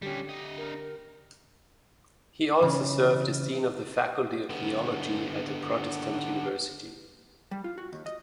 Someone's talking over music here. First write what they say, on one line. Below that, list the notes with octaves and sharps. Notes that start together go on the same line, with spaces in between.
He also served as dean of the Faculty of Theology at the Protestant University.
D3 G3 C#4 G4
D4 D#5
A#4
C#3 E3
D3 B3
G3
F4
F#4
D#2
D#5